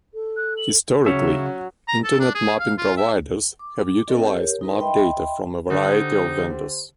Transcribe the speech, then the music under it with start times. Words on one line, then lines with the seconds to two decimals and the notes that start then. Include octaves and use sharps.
Historically, Internet mapping providers have utilized map data from a variety of vendors.
0.13 A4
0.37 F#6
0.57 F#7
1.06 C#3 F#3 C#4 C#5 E5
1.88 A#5
2.04 A4
2.20 D4
2.35 G#4
2.60 F5
2.78 F4
2.97 E5
3.59 D6
4.08 C4 D4 A4 A#4 D5 D#5
4.26 G4 A#4 C#5
4.61 D#4 A#4 B4
4.79 D#5 E5 G5 B5 C6
5.70 D3 D#4 G4 C5